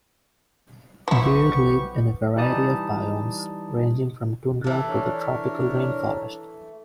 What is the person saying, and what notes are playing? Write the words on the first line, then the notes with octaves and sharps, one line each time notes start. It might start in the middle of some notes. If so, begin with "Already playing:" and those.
Deer live in a variety of biomes, ranging from tundra to the tropical rainforest.
B1 E3 F3 B3 E4 G4 C#6
E3 G3 D#4 D5 A5 D#6
E3 A3 G4
D4 A#4 C#5